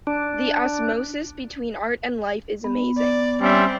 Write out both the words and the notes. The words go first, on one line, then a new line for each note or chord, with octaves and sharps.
The osmosis between art and life is amazing.
D4
B3
D5
G3 C4 C#4 E5